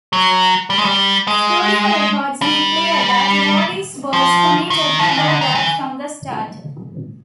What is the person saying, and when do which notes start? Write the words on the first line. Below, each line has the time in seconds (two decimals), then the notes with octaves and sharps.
Studio records make clear that Wallis was committed to Bogart from the start.
0.13 F#3
0.70 G3
0.78 G#3
0.85 G3
1.28 G#3
2.42 G3
4.13 F3
4.70 D#3
4.99 F3
5.09 E3
5.17 D#3
5.27 D3
5.41 D#3
5.55 E3